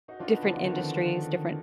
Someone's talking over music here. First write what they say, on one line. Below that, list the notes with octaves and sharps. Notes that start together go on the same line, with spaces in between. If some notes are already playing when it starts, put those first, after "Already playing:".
different industries, different
D#4 F#4
D4 F4
B3 D#4
D3 F3
D3 F3
D#3
D3 F3